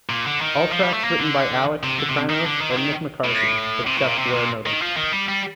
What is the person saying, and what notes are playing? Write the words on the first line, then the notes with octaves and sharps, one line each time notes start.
All tracks written by Alex Kapranos and Nick McCarthy, except where noted.
A#2
D3
D#3
F3
G3
A3
A#3
D3
C3
D3
C3
D#3
D3
D#3
D3
D#3
A2
C3
A2
A#2
C3
A#2
D#3
F3
D#3
G3
G3